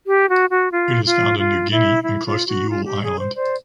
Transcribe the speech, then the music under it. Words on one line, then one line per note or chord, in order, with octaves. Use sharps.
It is found in New Guinea and close to Yule Island.
G4
F#4
F#4
F4
F4
F4
E4
E4
F4
F#4
F4
G4
G#4
C5
C5 D5